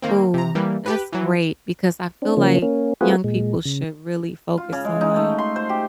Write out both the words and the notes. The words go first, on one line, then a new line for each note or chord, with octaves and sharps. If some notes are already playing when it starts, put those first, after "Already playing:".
Ooh, that's great because I feel like, young people should really focus on
D#3 A#3 C4
C3 A#5
E3 G3 A#3
G4 B4
E3 F#3
C4 D4
C#3 F3 A#3 C#4
A#3 C#4
A3 C4 F4 F#4 G#4 B4
A#2 G#3
C#3
F4
C#3
G#3
D#4
A3
C6
C5
G4